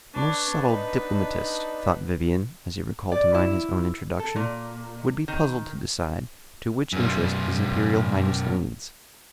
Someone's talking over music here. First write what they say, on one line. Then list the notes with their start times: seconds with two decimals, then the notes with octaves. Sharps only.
"The most subtle diplomatist," thought Vivian, as he recalled to mind his own introduction, "would be puzzled to decide to which interest his imperial highness leans."
0.14 D4 B4 C#5 D5
0.67 B3 D4 D#4 B4
3.12 D5
3.34 E4
4.19 A4
4.36 A#2
5.28 D#3
6.93 F#2 B2